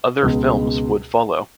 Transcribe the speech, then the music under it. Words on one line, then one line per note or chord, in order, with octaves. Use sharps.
Other films would follow.
C#2 B2 G#3